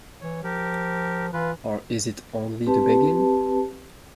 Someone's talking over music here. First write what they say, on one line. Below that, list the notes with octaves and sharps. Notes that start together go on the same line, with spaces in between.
Or is it only the begin-?
E3 C#5
F3 G4 A#4
E3 F4 B4
C4 G4 B4 A5